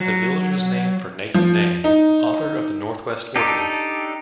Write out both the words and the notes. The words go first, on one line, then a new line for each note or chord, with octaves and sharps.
The village was named for Nathan Dane, author of the Northwest Ordinance.
F#3
F3
D#4
D4 D#4 G4 A4